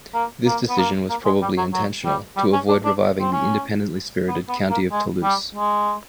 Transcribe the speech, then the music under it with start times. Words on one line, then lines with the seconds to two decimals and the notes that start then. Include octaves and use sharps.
This decision was probably intentional, to avoid reviving the independently spirited County of Toulouse.
0.14 A#3
0.46 A#3
0.69 B3
0.78 A#3
1.09 A#3
1.25 G#3
1.42 G3
1.57 F#3
1.72 F#3
2.05 G3
2.37 G3
2.53 C#4
2.68 D4
2.85 D4
3.20 C4
3.32 C#4
4.28 B3
4.49 B3
4.70 A#3
4.92 G#3
5.23 G3
5.55 G#3